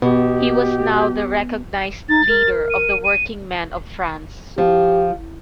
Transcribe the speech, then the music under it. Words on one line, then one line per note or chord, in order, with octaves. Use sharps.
He was now the recognized leader of the working-men of France.
B2 B3 G4
D#4 A6
A#4
D#7
D#7
F3 G4